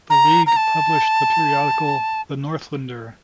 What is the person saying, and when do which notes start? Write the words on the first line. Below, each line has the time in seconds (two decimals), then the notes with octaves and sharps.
The League published the periodical "The Northlander".
0.10 A#5
0.46 A#5
0.56 A5